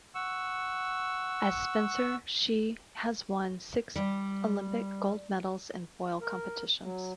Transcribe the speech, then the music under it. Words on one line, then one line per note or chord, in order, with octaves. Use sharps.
As fencer she has won six Olympic gold medals in foil competitions.
F#5 C#6 E6
G3
A#4
F#3